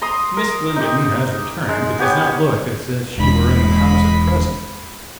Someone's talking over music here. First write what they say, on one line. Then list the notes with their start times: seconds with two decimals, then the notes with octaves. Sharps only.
'If Miss Lindon has returned, it does not look as if she were in the house at present.'
0.01 A#5 C6 D#6
0.37 A#4
0.76 D#4 G4
1.69 G#3
1.99 B3 G4 C#5 G#5
3.17 E1 G#3 B5